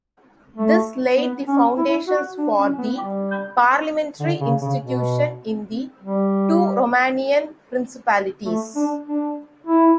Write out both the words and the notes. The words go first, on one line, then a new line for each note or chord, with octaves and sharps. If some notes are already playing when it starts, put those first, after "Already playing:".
This laid the foundations for the parliamentary institution in the two Romanian principalities.
A3
B3
C#4
E4
F#4
D4
C#4
B3
G3
D3
C#3
C#3
B2
G3
A3
D4
D4
E4